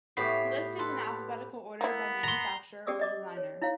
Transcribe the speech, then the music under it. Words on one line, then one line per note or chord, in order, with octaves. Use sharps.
List is in alphabetical order by manufacturer or designer.
A2 B3 G4 C#5 B6 C7
A4 B4 C6
A#3 B3 E4
A#5 C6
C#4 G4 G#4 D5 D#6 E6
D5 D#5 D6
C#5
D#4 E4 C#5 F5